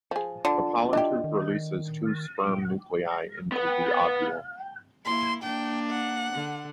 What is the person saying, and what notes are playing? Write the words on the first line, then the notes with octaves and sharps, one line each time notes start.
The pollen tube releases two sperm nuclei into the ovule.
F3 G#4
D3 F4
D4 E4 G4 D#5
D#3
B3 B4
A#3 E4 C6
A#3 D4 G5
F#5
D3